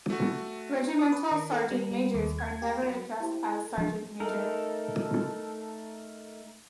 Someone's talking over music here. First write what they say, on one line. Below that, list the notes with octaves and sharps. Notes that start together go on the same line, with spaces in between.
Regimental sergeant-majors are never addressed as "Sergeant-Major".
A3 F#4
D#6
B4
D#3
A4
G3
G3
D#2
G#6
G4
F#3
E4 G4 C5
A4
F3 D4
A3 D#4 A4 A#4